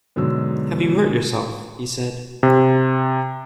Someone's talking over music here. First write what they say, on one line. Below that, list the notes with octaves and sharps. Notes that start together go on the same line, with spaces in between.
Have you hurt yourself?’ he said.
G#2 B2 D3 F#3 E6
C3